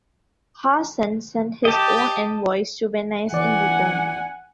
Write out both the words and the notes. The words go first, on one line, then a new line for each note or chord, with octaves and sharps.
Hassan sent his own envoys to Venice in return.
G4 D#5 A5
E3 D5 F#5 G#5